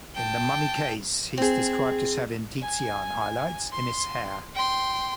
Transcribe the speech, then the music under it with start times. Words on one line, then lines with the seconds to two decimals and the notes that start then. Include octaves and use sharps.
In The Mummy Case, he is described as having Titian highlights in his hair.
0.15 G5 A5
1.38 C4 G#4
2.62 G#5
3.72 C6
4.55 G5 C6